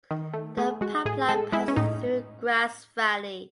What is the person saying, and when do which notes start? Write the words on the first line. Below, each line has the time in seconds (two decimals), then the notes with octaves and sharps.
The pipeline passes through Grass Valley.
0.11 D#3
0.33 A3
0.57 A3 G#4
0.81 G#3 F#4
1.05 A2 G#4
1.29 G#3 A4
1.52 G#3 E4
1.68 C#4
1.76 A2 D#4